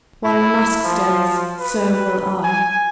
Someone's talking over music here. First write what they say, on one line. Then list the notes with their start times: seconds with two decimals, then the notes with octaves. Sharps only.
"While La Masque stays, so will I."
0.24 E4
0.85 F3
1.60 B4
2.44 G#5